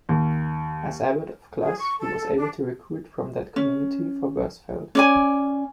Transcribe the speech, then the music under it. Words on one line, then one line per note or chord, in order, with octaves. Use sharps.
As abbot of Clus, he was able to recruit from that community for Bursfelde.
D#2
G#4
C#6
A4
D4
C#4
C#4 D5 G#5